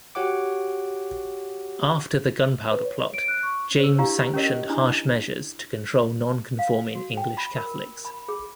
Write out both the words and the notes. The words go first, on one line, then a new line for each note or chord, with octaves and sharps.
After the Gunpowder Plot, James sanctioned harsh measures to control non-conforming English Catholics.
F#4 G4 C#5 F#5 D6
B4
C#5
D7
F#6
C#6
C5 E6
D4 E4 G4 F5 A#5
C#4 G4 A4 A#4 C#5 D#5
D4 E4
F5
F#4
G5
B5
A#4
B5
G#4